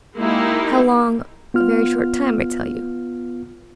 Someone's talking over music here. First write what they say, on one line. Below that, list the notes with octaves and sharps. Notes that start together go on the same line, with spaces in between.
'How long--a very short time, I tell you.
G#3 A#3 D#4 E4 G4
B3 F4 F6